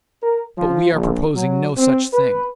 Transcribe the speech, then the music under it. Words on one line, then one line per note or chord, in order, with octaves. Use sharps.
But we are proposing no such thing.
A#4
F3
A#1
F#3
C4
B4